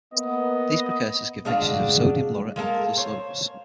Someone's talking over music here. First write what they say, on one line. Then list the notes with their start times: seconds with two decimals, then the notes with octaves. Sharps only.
These precursors give mixtures of sodium laurate and other soaps.
0.14 A#3 B3 D#5
1.45 G#3 D4 F4 F#4
2.56 G#3 A#3 A4 A#4
2.97 C5 C#5